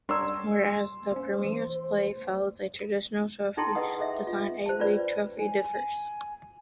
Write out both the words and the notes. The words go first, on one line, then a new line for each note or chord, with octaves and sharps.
Where as the Premier's Plate follows a traditional trophy design, the A-League Trophy differs.
G3 D4 A#4 C#5 C6 E6
A#3 C#4 C5
E3
D#4 E4 A4 G5 A5 C6
E4 G#4 B4 D#5 F#5 D#6
A4 D#5 E5
F4
C5 A5
C#4 F4 B4 D5 B5
G#5